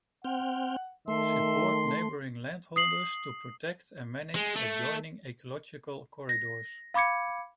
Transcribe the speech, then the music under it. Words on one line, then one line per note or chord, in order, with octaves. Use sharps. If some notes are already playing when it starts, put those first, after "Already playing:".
Support neighbouring landholders to protect and manage adjoining ecological corridors.
C4 F#5 G5 F6
D#3 A3 E5 C6
D#6 C7 F#7
G#3
A3
A#6
F5 B5 D6 G#6 C#7